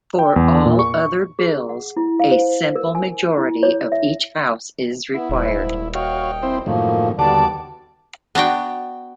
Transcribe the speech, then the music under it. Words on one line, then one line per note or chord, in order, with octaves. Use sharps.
For all other bills, a simple majority of each house is required.
G5
E2
A#2
C#6
G#4
F#5
E4
F5
C5
A#4
G#5
E4
C#5
E5
B3 E4
D#1 G#2
F#4 C#5 D#5 F5 G5
C4 E4 C5
F#2 A2 D#3 F3 A#3
D#2 D3 G3 B3 F#4 D5 A5 D6
B3 D4 F#4 G5